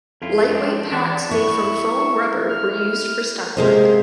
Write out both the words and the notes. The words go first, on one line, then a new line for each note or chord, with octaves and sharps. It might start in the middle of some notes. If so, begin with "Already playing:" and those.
Lightweight packs made of foam rubber were used for stunt work.
F2 C#4 E4 F4 A4
G#3 C4 D4
E3 D4 F#4 D5 F#5 A5 B6
E4 C#6
F6
C3 G#3 A#3 C5